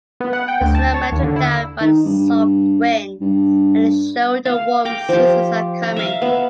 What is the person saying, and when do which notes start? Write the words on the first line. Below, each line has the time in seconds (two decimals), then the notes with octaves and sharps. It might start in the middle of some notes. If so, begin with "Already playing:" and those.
The snow melted down by the soft wind, and it showed the warm seasons are coming.
0.20 B3
0.33 F#5
0.48 G5
0.61 D2
0.75 A5
0.94 C#5
1.12 D#2
1.23 D3
1.36 E4
1.80 D#3
2.06 G2
3.21 G2
4.45 F5
4.85 G5 A#5 D6
5.09 F3 G4
5.83 A#5
5.96 E5 F5
6.22 B3